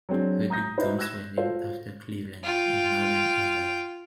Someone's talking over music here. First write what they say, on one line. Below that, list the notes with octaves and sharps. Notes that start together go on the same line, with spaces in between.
The dukedoms were named after Cleveland in northern England.
F#3 G#3 C4 D4
A#5 D#6 G6 A#6
D#4 E4 F#4 B4 C5
E6 F#6 G#6 A#6 E7
F4 F#4 A4 C5 F5
F4 G5